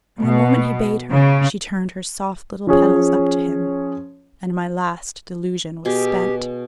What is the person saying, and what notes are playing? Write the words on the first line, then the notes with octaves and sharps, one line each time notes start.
From the moment he bade her, she turned her soft little petals up to him--and my last delusion was spent.
B2
C#3
F3 C#4 G#4 C#5
B2 G4 G#4